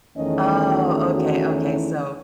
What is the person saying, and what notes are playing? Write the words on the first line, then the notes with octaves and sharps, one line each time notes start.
Oh, okay, okay, so
E2 D#3 A3 C#4 D#5
F#4
F#4
E4